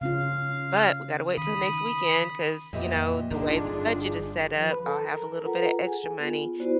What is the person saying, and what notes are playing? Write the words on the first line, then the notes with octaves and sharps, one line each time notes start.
But we gotta wait till next weekend ‘cause, you know, the way the budget is set up, I'll have a little bit of extra money
C#3 C#4 F4 F5
D#3 B5 D#6
F2 A#2 G3 B3 D#5 E5
G1 D3 F3 C4 D4 D#4 F4 G#4
F3
B4
A4
A#4
F4 A4 B4 F#5 A#5
G#4 G#5
B3 F4
B3 E4 F#4 C5 D5